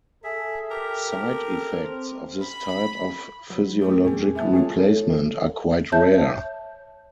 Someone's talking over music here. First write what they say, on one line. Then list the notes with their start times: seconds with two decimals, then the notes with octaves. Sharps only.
Side-effects of this type of physiologic replacement are quite rare.
0.24 G#4 A4 E5
0.71 G4 A#4
1.12 A#4
1.84 C4
2.43 B5
3.50 F#3
3.82 A3 G4 A#4
4.04 F2 A#2 G#4 G#5
4.35 G3 B3 E5 A5
4.53 F4 G#4 A4 C#5
4.77 A4 C#5
5.92 C#5 E5 A5 G6